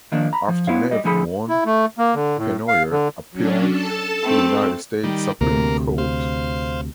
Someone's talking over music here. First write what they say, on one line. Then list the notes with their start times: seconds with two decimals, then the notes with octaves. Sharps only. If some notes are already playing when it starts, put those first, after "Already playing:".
After Neff won, Pennoyer appealed to the United States Supreme Court.
0.12 D#3 F3 A#3 D4
0.33 A#5 B5
0.48 F3
0.67 B3 E4 C5 C#5 F5
0.91 G3 D#5
1.04 A2 D3 F3 G#4 A4 B5
1.49 E4
1.66 A3
1.98 A#3
2.15 D3
2.37 A2
2.68 F5
2.91 D3
3.31 F#3 C#4 D4
3.66 A4 A5
4.25 A3 C4
5.04 D#3 G3
5.41 D2 C3 A#3 A#4
5.98 C5 F5